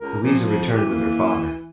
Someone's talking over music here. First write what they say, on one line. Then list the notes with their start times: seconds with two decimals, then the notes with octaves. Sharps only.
Louisa returned with her father.
0.01 C#2 A#4
0.23 A#2 F3
0.42 F2
0.72 E3 G4
0.89 A#3